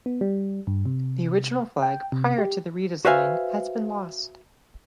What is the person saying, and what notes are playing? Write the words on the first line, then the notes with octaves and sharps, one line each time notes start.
The original flag prior to the redesign has been lost.
B3
G3
G2
C3
G5
C3
G4
F#4 B4 C5 E5 F5 G#5